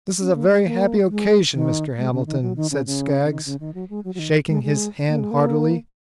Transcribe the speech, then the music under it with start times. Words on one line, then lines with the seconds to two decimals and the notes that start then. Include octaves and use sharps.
"This is a very happy occasion, Mr. Hamilton," said Skaggs, shaking his hand heartily.
0.21 C#4
0.35 A#3
0.50 G#3
0.65 A#3
1.09 G#3
1.53 D#3
1.98 G#3
2.12 C#3
2.27 D#3
2.42 F#3
2.56 D#3
2.71 C#3
2.86 C#3
3.24 C#3
3.31 D#3
3.45 C#3
3.60 D#3
3.74 F#3
3.90 G#3
4.04 F#3
4.15 F#3
4.19 D#3
4.48 G#3
4.63 G#3
5.08 A#3
5.19 G#3
5.31 A#3